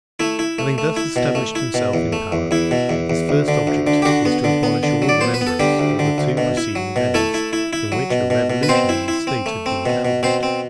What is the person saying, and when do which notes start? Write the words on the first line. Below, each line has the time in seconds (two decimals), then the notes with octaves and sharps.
Having thus established himself in power, his first object was to abolish all remembrance of the two preceding days, in which a revolution in the state had been canvassed.
0.20 A3 E4
0.39 E4
0.59 A3
0.78 A3
0.96 E4
1.16 B2
1.35 A3
1.55 E4
1.74 B2
1.94 E2
2.13 A3
2.32 E2
2.51 E2 E4
2.71 B2
2.90 E2
3.10 E2
3.29 D2
3.48 D3
3.67 D2
3.87 D3
4.02 G4
4.05 D3 F#4
4.25 B3
4.44 D3
4.63 B3
4.83 D3
5.02 F#3
5.09 D5
5.21 B3 C5
5.34 B4
5.41 B3
5.47 A4
5.60 D3 G3 G4
5.79 D2
5.99 D3
6.18 D2
6.37 B2
6.57 E4
6.75 F#3
6.96 B2
7.14 A3 E4 A4
7.34 E4
7.53 E4
7.73 E4
7.92 F#3
8.11 B2
8.30 B2
8.50 B2
8.63 B4
8.69 B2 C4 C5
8.89 E4
9.08 E4
9.27 C4
9.46 A3
9.66 C4
9.86 B2
10.05 B2
10.23 B2 C4 C5
10.43 C4